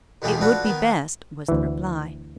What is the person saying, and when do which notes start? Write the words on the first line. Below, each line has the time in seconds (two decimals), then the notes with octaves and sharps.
"It would be best," was the reply.
0.22 E2 B2 G#3 A3 F4 G4
0.41 F3 D4 F#4 A4 B4
0.65 D#3 B3
1.48 D2 E3